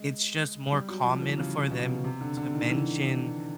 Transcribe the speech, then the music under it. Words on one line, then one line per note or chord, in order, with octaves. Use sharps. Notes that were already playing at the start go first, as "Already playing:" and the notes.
it's, just, more common for them to mention
Already playing: G#3
G3
F#3
F3
E3
C#3
B2
C3
D3
D3
D#3
E3